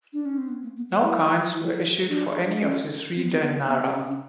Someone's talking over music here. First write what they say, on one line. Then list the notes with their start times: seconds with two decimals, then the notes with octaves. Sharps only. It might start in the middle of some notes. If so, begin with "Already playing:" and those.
No coins were issued for any of the three dinara.
0.13 D4
0.25 C#4
0.38 C4
0.49 B3
0.63 A#3
0.76 B3
0.89 A#3
1.02 E4
1.55 E4
2.09 D4
2.61 C#4
3.15 C4
3.24 B3
3.32 C4
3.42 B3
3.68 B3
3.82 C4
3.94 C#4
4.08 C#4